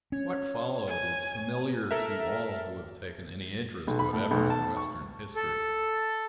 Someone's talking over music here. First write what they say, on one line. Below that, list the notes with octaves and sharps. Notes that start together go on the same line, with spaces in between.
What followed is familiar to all who have taken any interest whatever in Western history.
C#4 C#5
G#5
A4 A#4 E5
B1
B5
A2
B1
A5
C#6
A4